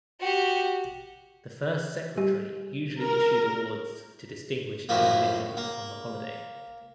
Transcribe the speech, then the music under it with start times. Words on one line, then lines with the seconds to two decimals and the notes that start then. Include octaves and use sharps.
The First Secretary usually issued awards to distinguished individuals on the holiday.
0.20 F#4 G4
2.17 G3 G4
3.01 A#4
4.89 F#2 A2 F3 A#3
5.57 A#3